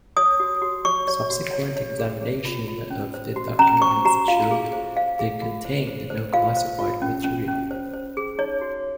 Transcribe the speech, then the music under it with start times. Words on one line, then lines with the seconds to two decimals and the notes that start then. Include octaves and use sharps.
Subsequent examination of the documents showed they contained no classified material.
0.17 C#5 D#6
0.40 F#4
0.62 F#4
0.85 C#5 C#6
1.08 C#5
1.30 F#4
1.53 C#5
1.77 C#5
1.99 G#4
2.22 G#4
2.45 F4
2.68 F4
2.91 C#4
3.14 C5
3.36 F#4
3.59 C#4 A#5
3.81 C5 C#6
4.05 F#4 A#5
4.28 F4 F5
4.51 G#4
4.73 C5
4.96 C5 F5
5.19 G#4
5.42 F4
5.65 C5
5.87 C5
6.10 C5
6.34 F4 F5
6.57 C5
6.79 F4
7.02 C#4
7.24 C#4
7.48 C#4
7.71 C5
7.94 C5
8.17 G#4
8.39 D#4 C#5
8.61 F#4